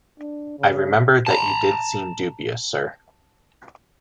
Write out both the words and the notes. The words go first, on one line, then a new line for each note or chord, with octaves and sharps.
I remember that you did seem dubious, sir.
D4
C#3
A5 A#5